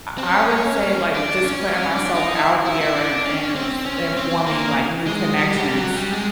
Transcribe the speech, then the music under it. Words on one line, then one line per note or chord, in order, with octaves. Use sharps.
I I would say like just putting myself out there and and, f and forming, like, new connections.
C4
C#4
D4
C#4
C#4
D4
D#4
E4
E4
E4
D4
C#4
C4
C#4
C4
A#3
G#3
G3
G3
F#3
G3
G#3